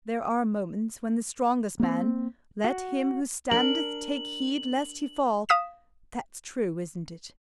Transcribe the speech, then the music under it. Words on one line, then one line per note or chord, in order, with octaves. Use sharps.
There are moments when the strongest man--'Let him who standeth, take heed lest he fall.' That's true, isn't it?
A#3 C4
F#4
D4 A#4 F#7
F5 D#6 B6 E7